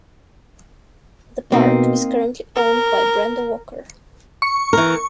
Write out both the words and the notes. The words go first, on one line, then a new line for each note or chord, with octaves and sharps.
The park is currently owned by Brenda Walker.
B2 A#3 C4 D#4
A#4
C#6
E3 A#4